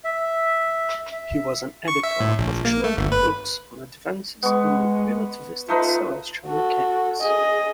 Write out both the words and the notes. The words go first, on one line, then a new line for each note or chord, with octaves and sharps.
He was an editor of two other books on advances in relativistic celestial mechanics.
E5
E5
C#6
E5
A2
A#1
A#3
A3
G1
B4
G#3 B3 C#6
A3 D#4 F4 B4
F#4 A4
G#4 D#5